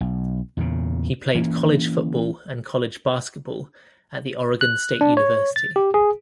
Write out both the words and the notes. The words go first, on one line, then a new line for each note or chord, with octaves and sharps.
He played college football and college basketball at the Oregon State University.
B1
E2 A#2 C#3
E3 A#3 C#4
F#6
D4
C#5
A6
G4
G#4